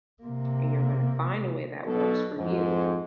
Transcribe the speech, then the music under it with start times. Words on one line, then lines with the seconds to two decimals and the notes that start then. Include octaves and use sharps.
and you're gonna find a way that works for you."
0.23 C3 A#3
1.86 B1 B2 A4
2.37 F2 G#2